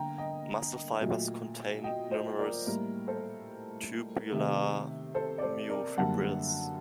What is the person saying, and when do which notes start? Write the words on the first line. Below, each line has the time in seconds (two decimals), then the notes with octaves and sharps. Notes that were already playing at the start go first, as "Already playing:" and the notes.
Muscle fibers contain numerous tubular myofibrils.
Already playing: D3 A#3 G5 A#5
0.18 D#5 G5
1.01 A#2 F#3 A3
1.84 D#5 G5
2.11 C5 D#5
2.39 A#4 D5
2.66 A2 G3 A#3 A#4
3.07 A4 C5
4.32 C3 D#3 A3
5.15 A4 C5
5.38 D5
5.42 A4 C5
5.69 A#4 D5
5.98 F#2 D3 G3 A#3 F#5 A5